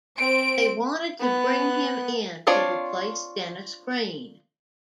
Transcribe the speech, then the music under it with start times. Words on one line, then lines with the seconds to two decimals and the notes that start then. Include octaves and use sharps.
They wanted to bring him in to replace Dennis Green.
0.17 C4 D7
1.21 B3 F#6
2.47 C4 D4 F4 C#5 D5